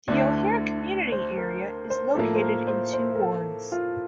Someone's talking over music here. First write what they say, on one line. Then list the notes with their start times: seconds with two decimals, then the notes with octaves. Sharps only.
The O'Hare community area is located in two wards.
0.08 D2 D3 A3 E4 D5
1.12 C5
1.37 A#4
1.90 C5
2.15 A2 F3 A#3 A4
2.35 C5
2.42 A#4
2.67 C5
2.93 C5
3.15 A#4
3.20 A4
3.72 F4